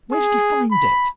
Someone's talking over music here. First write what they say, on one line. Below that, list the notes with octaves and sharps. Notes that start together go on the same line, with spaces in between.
Where did he find it?
G#4
B5